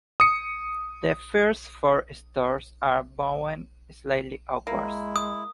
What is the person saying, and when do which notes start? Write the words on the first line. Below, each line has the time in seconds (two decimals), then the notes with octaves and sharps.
The first four stories are bowed slightly outward.
0.20 D#6 C#7
4.67 G#3 A#3 E4
5.16 D#6